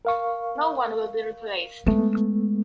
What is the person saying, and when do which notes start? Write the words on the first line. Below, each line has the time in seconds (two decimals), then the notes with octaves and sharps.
No one will be replaced.
0.05 A#4 F5 C#6
1.86 G#3 A3 B3